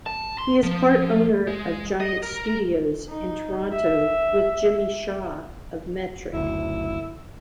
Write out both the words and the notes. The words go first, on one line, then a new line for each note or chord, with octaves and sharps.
He is part owner of Giant Studios in Toronto with Jimmy Shaw of Metric.
A5
C6
F3
G#3
D#5
A#4
D#4
E5
F#1 D2 E4